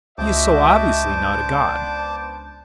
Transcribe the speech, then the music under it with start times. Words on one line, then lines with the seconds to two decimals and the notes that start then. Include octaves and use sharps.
He is so obviously not a god.
0.18 C#2 F#4 C5 D#5 E5 A5 D6
1.08 B3 D4